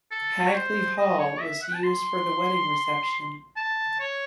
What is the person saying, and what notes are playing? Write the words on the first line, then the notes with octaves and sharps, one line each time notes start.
Hagley Hall was used for the wedding reception.
A4
C#5
C5
D#5
C#5
E5
F#5
A5
C6
A5
C#5